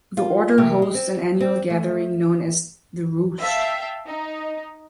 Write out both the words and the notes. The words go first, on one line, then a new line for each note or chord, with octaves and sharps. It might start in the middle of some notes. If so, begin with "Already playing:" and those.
The Order hosts an annual gathering known as the "Roost".
F4
C3
G#3
C4
C4
A3
E5 F5 G5 A5
D#4